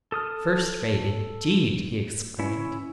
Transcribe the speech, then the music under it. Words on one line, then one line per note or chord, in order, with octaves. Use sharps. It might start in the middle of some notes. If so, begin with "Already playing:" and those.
'First rate, indeed!' he exclaimed.
A4 D#6 F6
C#4 E4